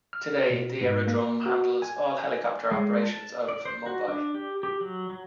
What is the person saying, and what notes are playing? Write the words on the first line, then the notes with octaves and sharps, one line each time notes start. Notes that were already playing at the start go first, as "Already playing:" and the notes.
Today, the aerodrome handles all helicopter operations out of Mumbai.
F6
B2
G#2
A#3
F#4
G#5
G#3
A5
D5
C5
F#4
D4
G4
G4
F#3
F#3